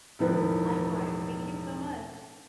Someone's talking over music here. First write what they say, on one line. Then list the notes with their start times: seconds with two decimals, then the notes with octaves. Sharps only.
Likewise. Thank you so much.
0.19 E1 A2 D#3 F3 B4